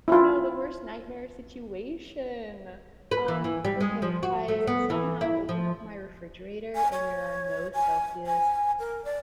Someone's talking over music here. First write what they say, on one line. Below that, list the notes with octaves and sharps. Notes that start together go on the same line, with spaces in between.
Oh, no, the worst nightmare situation. Um, okay, if I somehow open up my refrigerator and there are no Celsius
E4 F4
B4
E3
E3
G3
G#3
F3
F#4
A3
B3
E3
E4
F3
G#5
C#5
G#5
G#5
A#4
D5